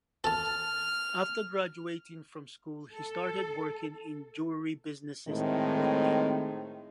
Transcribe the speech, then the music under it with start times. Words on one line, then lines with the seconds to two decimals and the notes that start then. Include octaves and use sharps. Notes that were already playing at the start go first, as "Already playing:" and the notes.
After graduating from school he started working in jewelry businesses in Poultney.
0.24 A4 A5 F6
2.94 A4
5.28 A2 D#3 G#3 C4